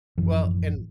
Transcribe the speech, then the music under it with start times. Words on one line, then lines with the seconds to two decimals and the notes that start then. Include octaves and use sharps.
Well and
0.18 A1 F#2 E3 F3